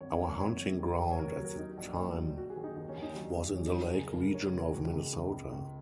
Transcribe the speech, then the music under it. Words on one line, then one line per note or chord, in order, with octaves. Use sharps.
Our hunting ground at that time was in the lake region of Minnesota.
G#1 C#5
F#2
G#1 C#5
G#1
D#3
D#3
C#5
D#2 A#4
C#5
F#3
A#4
F#3 D#4
A#1
A#2
F#3
F#3 F#4
G#4
D#3
D#4
D#2 D#4
C#4
D#2
D#4
F#3
D#3
F#3 C#4
D#4
F#3
D#4
C#2 G#4
A#4
C#3
A#4
C#3 C#5
A#4
C#2
G#4
C#2 F#4
G#4
C#2
C#2
C#2
C#2